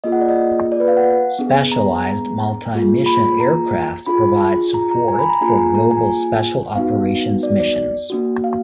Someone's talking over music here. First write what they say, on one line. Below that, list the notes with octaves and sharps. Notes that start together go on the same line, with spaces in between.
Specialized multi-mission aircraft provide support for global special operations missions.
A#3 F4 G#4 D#5
F#5
D5
D#5
D5
B4
F5
F#5
B3 D4 G#4
A#5
A#3 F4 G#4
B5
A#5
D4 F4 G#4 B5
A#5
A#5
G#5
B5
A#5
A#3 D4 F4 G#4 G#5
A#5
A#5
G#5
B3 D#4 F#4 F5
D5
D5
A#3 D4 F#4
F5